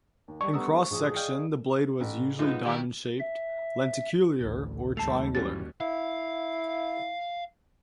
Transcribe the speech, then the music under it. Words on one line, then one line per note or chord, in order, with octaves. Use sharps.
In cross section, the blade was usually diamond-shaped, lenticular, or triangular.
D#2
G3 D5 D#5 A5 C#6
G3 A3 B3 D4 A#5 D#6 E6
A1 F3 G#4
D5 D#5 F5 G5 F6 G6
A1
F#2 G#3 D#4 F4 B4
D#3 E4 G4
E5
A1 D2
D#2 G3 A3 A5 C7 F7
G2 E3 F#3 G3 C#4 A6
E4 F5